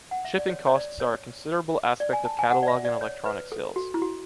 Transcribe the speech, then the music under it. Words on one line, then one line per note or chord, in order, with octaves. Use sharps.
Shipping costs are a considerable aspect of catalog and electronic sales.
F#5
E5
D5
C#5
C#5
D5
C#5
D5
G#5
A5
G#5
F#5
D5
E5
D5
C#5
B4
A4
F#4
E4
F#4